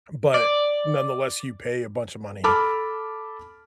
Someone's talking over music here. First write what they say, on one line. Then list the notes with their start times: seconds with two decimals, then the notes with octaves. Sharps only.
But nonetheless, you pay a bunch of money
0.34 D5
2.44 A4 A5 B5 D6 F6